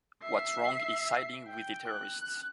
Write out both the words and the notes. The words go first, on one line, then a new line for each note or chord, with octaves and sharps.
What's wrong is siding with the terrorists.
E5 C7
G5
F#6